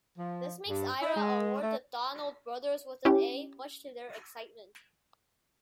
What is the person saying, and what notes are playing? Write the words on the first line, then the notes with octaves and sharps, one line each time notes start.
This makes Ira award the Donald brothers with an A, much to their excitement.
F3
G2
E4
G#3
A3
C#4 E4 G4